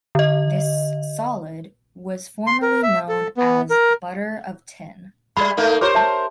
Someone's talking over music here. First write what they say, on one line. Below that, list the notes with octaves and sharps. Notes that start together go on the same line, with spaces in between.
This solid was formerly known as "butter of tin".
D3 D#5
C6
A#4
E5
A4
B3
A#4
G3 D5 B5
A3 A#3 D#4
G4 A#4 C5 C#5 D6
E5 A5